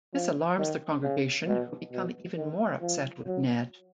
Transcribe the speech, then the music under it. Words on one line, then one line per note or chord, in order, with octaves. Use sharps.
This alarms the congregation, who become even more upset with Ned.
F3
D#3
C#3
B2
B2
D#3
F3
F#3